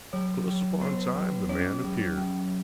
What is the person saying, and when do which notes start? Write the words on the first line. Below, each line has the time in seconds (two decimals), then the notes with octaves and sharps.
Close upon time the man appeared.
0.13 F#3 C#5
0.47 F#3
0.81 B3 B4
1.15 F#3
1.49 C#4 C#5
1.84 F#3
2.18 F#3